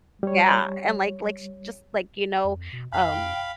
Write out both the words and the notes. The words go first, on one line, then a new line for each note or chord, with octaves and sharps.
Yeah, and, like like, she just, like, you know, um
G3 C#5
F2
B2
F2 F5 B5
G5